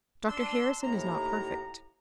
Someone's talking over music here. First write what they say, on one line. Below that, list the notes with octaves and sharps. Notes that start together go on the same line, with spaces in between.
Dr Harrison is not perfect.
D4 C6 E6
D#2 A2 A#5